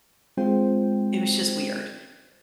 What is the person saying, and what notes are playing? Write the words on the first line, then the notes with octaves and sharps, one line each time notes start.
it was just weird.
G#3 C4 F4 C5 G5